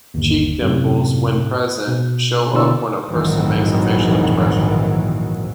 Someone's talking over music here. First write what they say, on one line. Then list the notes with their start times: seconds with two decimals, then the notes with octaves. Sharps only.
Cheek dimples when present, show up when a person makes a facial expression.
0.14 G1 D#2
0.62 F#2 A2 C3
1.88 B2
2.54 B2 D3 E4 B4 D5 E6
3.09 A#1 F2 G#2 D#3 E3 F#3